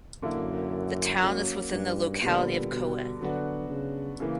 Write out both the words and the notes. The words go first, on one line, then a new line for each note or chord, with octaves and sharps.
The town is within the locality of Coen.
F#2 D3 A#3 E4
F#3 A#3 C#4
G2
A#2 D3 G3 B3
B2
D3 F#3 B3 D4 F#4
C#3
C#3 E3 A#3